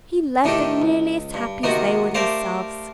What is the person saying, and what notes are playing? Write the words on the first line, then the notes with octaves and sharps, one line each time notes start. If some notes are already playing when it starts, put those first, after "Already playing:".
He left them nearly as happy as they were themselves.
A2 D#3 D4 D#4 G4 A4
C#2
G2
C3 D#3 A#3 B3 D#4 F#4
A3 G4 A#4 C5 D5 F5